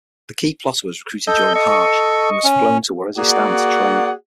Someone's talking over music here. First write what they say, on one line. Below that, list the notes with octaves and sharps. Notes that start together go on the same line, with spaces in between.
The key plotter was recruited during Hajj and was flown to Waziristan to train.
A4 D#5 G6
D#5 C#6
C#4
A#3 F#4 G#4 D5 F#5